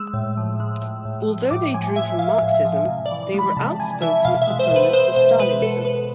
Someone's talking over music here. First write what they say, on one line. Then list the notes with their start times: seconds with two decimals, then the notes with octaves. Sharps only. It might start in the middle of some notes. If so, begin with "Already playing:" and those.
Although they drew from Marxism, they were outspoken opponents of Stalinism.
Already playing: G#3 E6
0.14 A2
0.37 F3
0.60 G#3
0.82 A2
1.05 A2
1.28 F3
1.51 A2 D6
1.74 F3 G#5
1.96 G#3 E5
2.19 A2 F5
2.42 A2
2.54 E5
2.65 F3
2.88 C3
3.06 D5
3.11 E3
3.34 G#3 B5
3.57 C3 A5
3.79 C3 G#5
4.02 E3 E5
4.25 B2 F5
4.42 E5
4.47 G#3
4.59 C5
4.71 B2 B4
4.93 G#3 C5
5.16 B2 C5
5.39 G#3 B4
5.62 B2 A4
5.85 G#3 B4